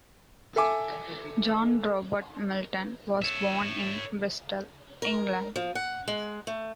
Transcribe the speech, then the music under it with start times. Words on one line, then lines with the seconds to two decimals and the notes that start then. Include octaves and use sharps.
John Robert Milton was born in Bristol, England.
0.56 A4 E5 G#5 D6
3.22 C#5 E5
5.02 A#4
5.56 F3
5.75 F#5
6.08 G#3
6.47 A3